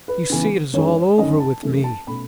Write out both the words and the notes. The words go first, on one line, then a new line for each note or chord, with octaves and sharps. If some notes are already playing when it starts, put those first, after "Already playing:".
You see it is all over with me.
B4
C#3 E3 B3
F#2 D#3 G#3 C#4 C#5
F#2 D#3 A3 C#4 D#5
A5
F#2 E3 A3 C#4
A5
B2 A3 C#4 B5